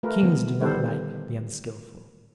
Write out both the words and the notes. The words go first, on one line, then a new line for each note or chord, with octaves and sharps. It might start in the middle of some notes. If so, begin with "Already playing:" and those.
Kings do not like the unskilful.
A3 F4 A#4 B4
D3 E3 G#3 B3
D3 D#3 G3 B3 A4 C5